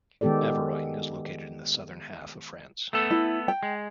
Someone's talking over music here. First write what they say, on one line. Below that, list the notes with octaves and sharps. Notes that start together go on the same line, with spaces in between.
Averoigne is located in the southern half of France.
D#3 G#3 B3 G4 A4 D5
A3 B3 A4
E4
G5
G#3